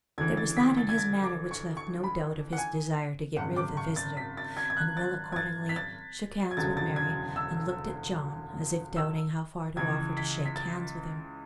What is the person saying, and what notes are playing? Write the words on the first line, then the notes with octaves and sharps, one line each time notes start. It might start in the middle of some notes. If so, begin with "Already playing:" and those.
There was that in his manner which left no doubt of his desire to get rid of the visitor, and Will accordingly shook hands with Mary, and looked at John, as if doubting how far to offer to shake hands with him.
D2 C#3 E3 G#6
A6
B6
A6
G#6
A6
D6
C#6
C#6
B5
F#5
G#5
G#1 F#2 C#3 F#5
D6
C#6
A6
B6
A6
G#6
G#6
F#6
A6
G#6
A6
B6
A6
G#6
E1 D2 C#3 F#3 A6
A6
G#6
E6
E6
C#2 C#3 E3 G#6
B6
B6
A6